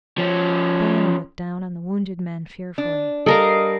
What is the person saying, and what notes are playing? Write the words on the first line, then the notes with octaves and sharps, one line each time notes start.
Diana looked down on the wounded man fearfully.
F3 C#4
D4
G3 A4 A#4 D#5 F5